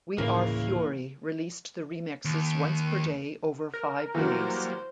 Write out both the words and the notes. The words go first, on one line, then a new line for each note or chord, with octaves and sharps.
We Are Fury released the remixes once per day over five days.
D2 A2 C#3 E3 A#3 D4 A#4
D#2
A#4
E3 F#3 G3 A#3 F#4 C5